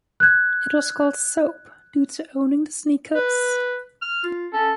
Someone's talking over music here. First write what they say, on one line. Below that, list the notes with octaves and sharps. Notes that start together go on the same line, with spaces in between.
It was called “Soap” due to owning the sneakers.
F#6 G#6
B4
F6
F4
C#4 A4